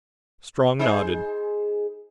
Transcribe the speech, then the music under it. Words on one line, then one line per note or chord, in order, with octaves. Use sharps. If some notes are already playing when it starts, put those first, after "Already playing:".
Strong nodded.
D#4 G#4 C5